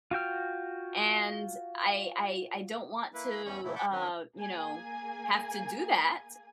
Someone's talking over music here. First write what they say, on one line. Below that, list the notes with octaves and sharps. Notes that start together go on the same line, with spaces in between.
and I I I don't want to, uh, you know, have to do that,
F4 F#4 G5 F6
A#3 E4 B4
E2 E3 G3 C#4 C#6
A#2 C#3 E3 F#3 A3 E4
F#5 A5 B5 C#6 D6 G6
D#3 F#3 C4 C#4
A#3 G#4 G#5